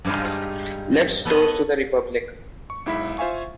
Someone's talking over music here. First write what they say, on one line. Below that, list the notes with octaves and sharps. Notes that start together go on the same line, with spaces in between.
Let’s toast to the Republic!
G2 G3 G#3 D#4 F4
B3 A4 B4 C#5 D#5 F#5
C#6
B1 G#2 E4 E5 B5 B6
F4 C5 E5 F5 G#5 C#6